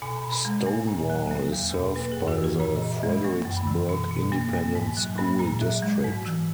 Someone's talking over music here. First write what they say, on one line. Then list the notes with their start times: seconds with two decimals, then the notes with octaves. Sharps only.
Stonewall is served by the Fredericksburg Independent School District.
0.02 B2 G#5
0.16 A#5
0.24 B2 B5
0.45 G#3 A#5
0.66 A#3 G#5
0.88 A#2
0.99 G#5
1.10 F#3
1.15 A#5
1.31 A#3
1.53 E2
1.74 B2
1.96 A#3 B4
2.12 G#4
2.17 F#2
2.28 F#4
2.38 E3
2.44 A#4
2.60 A#2 C#5
2.76 D#5
2.82 A#2
2.92 E5
3.03 G#3
3.08 B5
3.24 A#3 C#6
3.46 F#2
3.57 B5
3.67 E3
3.89 B2
4.11 B2
4.32 A#3
4.54 A#3
4.75 G#2
4.97 F#3
5.18 A#3 B5
5.39 A#2 A#5
5.61 F#3 E5
5.82 G#3
6.04 G#2
6.26 E3